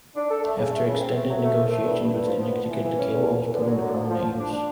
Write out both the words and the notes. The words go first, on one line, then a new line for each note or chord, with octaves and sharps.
After extended negotiations with Connecticut the cable was put into permanent use.
D4
A4
A3
C#3
A3
C#3
C4
A3
F#3
A3
F3
A3
G2
G2
G2
F3
B3
F3
E3
E3
C#4
E2
E2
E2
D3
F#3
D3
F3
F3
F3
D4
D4